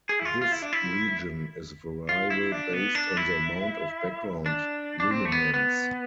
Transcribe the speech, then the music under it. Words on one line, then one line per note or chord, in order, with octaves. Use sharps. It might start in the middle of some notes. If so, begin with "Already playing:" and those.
This region is variable based on the amount of background luminance.
G#4
E4
F4
F4
E4
D4
E4
F4
E4
D4
B3
D4
E4
D4
D4
C4
A3
B3
B3